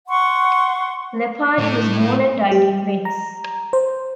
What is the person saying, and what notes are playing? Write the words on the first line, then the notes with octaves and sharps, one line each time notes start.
Leopardi was born and died in Venice.
F#5 C6 C#6
A2 A3
G4
A#5
C5